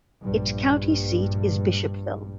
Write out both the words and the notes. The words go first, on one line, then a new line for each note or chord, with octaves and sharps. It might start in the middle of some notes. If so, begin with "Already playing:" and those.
Its county seat is Bishopville.
A#1 G2